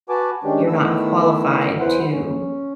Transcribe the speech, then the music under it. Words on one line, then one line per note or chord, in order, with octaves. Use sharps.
you're not qualified to
F#4 B4 G#5 A5 D6
D#3 G#3 C#4 D4 G4
D#3 A3 B3 E4 E6
E2 E3 E4 B4 C5 F#5
C#4